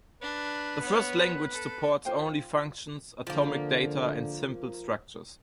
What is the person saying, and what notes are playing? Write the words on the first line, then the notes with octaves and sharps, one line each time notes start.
The first language supports only functions, atomic data and simple structures.
D4 B4
B3 C#5
A4
F4 C5 G5
D3 F3 A#3